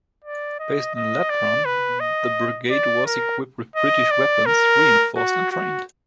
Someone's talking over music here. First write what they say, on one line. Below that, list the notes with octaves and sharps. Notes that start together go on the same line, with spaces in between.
Based in Latrun, the brigade was equipped with British weapons, reinforced and trained.
D5
D#5
D#5
D5
B4
D#5
D5
A#4
D#5
D5
A#4
F#4
F#4